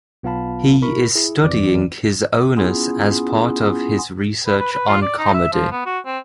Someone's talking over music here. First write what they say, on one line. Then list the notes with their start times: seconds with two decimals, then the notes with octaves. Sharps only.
He is studying his owners as part of his research on comedy.
0.23 B1 B3 F4 F5 A5 B5
0.82 C3 E4 A#4 B5 C#6
1.15 E4 G#4
1.43 A1 F2 E3 D5 D6
2.57 B3 C#4 E4 F4 G#4
4.47 B4
4.59 B4
4.73 B4
4.88 F4
5.02 D5
5.18 D#4
5.34 E5
5.53 F3
5.72 B3
5.86 F#4
6.06 C4